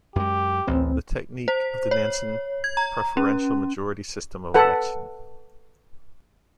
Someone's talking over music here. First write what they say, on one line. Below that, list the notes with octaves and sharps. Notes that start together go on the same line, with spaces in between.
The technique of the Nanson preferential majority system of election.
F#2 G#3 G4
A1 D2 C4
C5
C#5
G#6
A#5
C#4
A4 B4 F#5